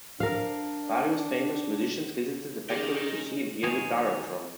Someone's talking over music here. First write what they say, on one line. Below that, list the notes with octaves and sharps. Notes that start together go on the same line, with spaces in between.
Various famous musicians visited the factory to see and hear the Birotron.
D4 A#4 F5
C#4 D#4 G4 G#4 A#4 G5
D#3 F#3 C4 G#4 C#5